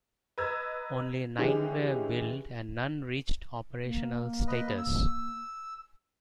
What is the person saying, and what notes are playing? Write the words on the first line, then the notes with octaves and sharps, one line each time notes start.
Only nine were built and none reached operational status.
B4 D#5 A#5 E6 G#6
D3 E3 G#3 C#4 G4 G#4
A#3
B4 D#5
E6